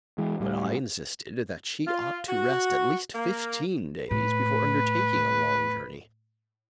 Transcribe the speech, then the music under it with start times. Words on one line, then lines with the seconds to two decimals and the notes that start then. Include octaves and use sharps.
But I insisted that she ought to rest at least fifteen days before undertaking a long journey.
0.18 E3 G#3
0.40 A2 G3
1.87 F4
2.29 F#4
3.14 A#3
4.11 A2 B4